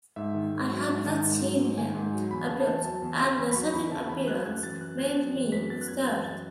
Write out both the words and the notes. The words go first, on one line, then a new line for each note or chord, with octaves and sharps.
I had not seen him approach, and the sudden appearance made me start.
G#2 E5
D#3
G#2
F#3
G#2
D#3
G#2
F#3
G#2
D#3 G#5
G#2
F#3
E2 B5
C#3 A5
E2 A5
F#3 A5
E2
C#3
E2 B5
B5
F#3 C#6
E2 B5
C#3 A5
E2 B5
F#3 F#6
F#2 G#6
E3 A6
F#2 F#6
B3 G#6
F#2
E3
F#2 B6
B3 A6
F#6
F#2 G#6
E3 A6
F#2 A6